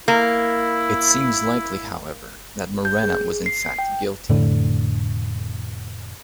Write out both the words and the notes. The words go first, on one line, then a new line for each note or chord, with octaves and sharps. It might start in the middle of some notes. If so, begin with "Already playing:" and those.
It seems likely, however, that Murena was in fact guilty.
A#3 E4
G6
G#4
C7
G5
F1 A2 D3